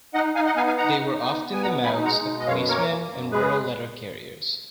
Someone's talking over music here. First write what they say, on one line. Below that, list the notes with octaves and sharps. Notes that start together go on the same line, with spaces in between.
They were often the mounts of policemen and rural letter carriers.
D#4 D#5 F#5
D#4 F5 G#5
D#5 F#5
B3 F5 G#5
F5 G#5
D#4 F#5 A#5
D#4
B3
B3
G#5
B2 F#5 A#5
D#4 G#5 B5
G#3 F#5 A#5
B2
D#5
F#2 C#5 F5
A#3 A#4 C#5
A#3
F#2
G#3 G#4 B4